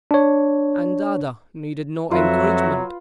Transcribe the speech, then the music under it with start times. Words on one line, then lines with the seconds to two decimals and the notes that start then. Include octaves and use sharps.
And Dada needed no encouragement.
0.11 D4 C#5
2.11 F2 F#3 F4 F#4 B4 E5